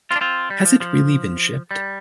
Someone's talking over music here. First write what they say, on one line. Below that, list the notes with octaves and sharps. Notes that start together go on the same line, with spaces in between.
Has it really been shipped?
C4 F4
D4
C4 F4
G3
F3
F3
G3